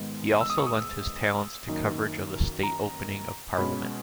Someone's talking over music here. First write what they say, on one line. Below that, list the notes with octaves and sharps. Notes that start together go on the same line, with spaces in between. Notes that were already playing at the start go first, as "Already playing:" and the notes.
He also lent his talents to coverage of the State Opening of Parliament.
Already playing: G#2 D#3 G#3 B3
E6
D#6
C#6
D#6
F#2 D#3 A#3 D#4
A#5
B2 G#3 C#4 B5